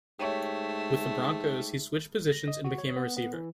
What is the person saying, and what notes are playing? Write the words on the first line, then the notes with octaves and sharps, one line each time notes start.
With the Broncos, he switched positions and became a receiver.
G#2 A3 G4 C#5
A#6
D#5
F#4
C#5
B3
B3
E3